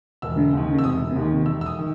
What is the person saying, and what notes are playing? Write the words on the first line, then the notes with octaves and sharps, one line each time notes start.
Mhm, mhm.
E1 E6
D#2 D#3
E6
E1 D#6
D#2 D#3
E1 E6
E6
D#6
D#3